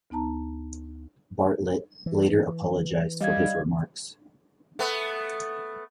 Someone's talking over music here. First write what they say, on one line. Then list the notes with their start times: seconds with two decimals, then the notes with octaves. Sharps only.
Bartlett later apologized for his remarks.
0.10 D2 B3 D#4 A5 A#5
2.06 E3
3.21 G3 D#5 F5 G#6
4.79 A3 B3